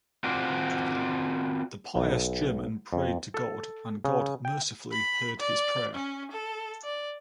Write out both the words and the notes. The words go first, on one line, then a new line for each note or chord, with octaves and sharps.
The pious German prayed to God, and God mercifully heard his prayer.
C4 F4 F#4 C5 D5
B1
F2
A4
C#3
G5
B5
D5
C#4
A4
D5